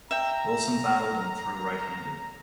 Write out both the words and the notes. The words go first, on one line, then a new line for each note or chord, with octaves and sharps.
Wilson batted and threw right-handed.
E5 G5 A#5